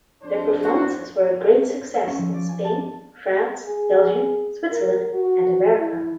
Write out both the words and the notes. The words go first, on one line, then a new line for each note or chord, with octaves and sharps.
Their performances were a great success in Spain, France, Belgium, Switzerland and America.
F2 D4 C5
F#4
E6
C#4
F3
D5
G#5
A5
G#4
A#4
F#4
E4